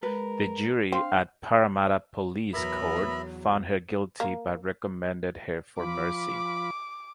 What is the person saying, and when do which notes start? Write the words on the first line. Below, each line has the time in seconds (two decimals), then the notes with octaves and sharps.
The jury at Parramatta Police Court found her guilty but recommended her for mercy.
0.03 G#3 A#4 B4
0.92 C4 D4 F5
2.54 E2 F#3 B3 A#4 E5 B5
4.20 A#3
5.79 F3 F4 B5 D6